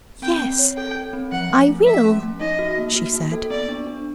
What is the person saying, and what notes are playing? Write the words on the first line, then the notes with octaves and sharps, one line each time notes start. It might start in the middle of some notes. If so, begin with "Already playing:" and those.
"Yes, I will," she said.
C4 G5
C4
C#5
A4 G5
A4
C4
F3 F#5
F3
A3
F3 E5
C#4
A3
D#4 D#5
F#4
A#3
F#4
A#3
A4
B3 D5
D4
D4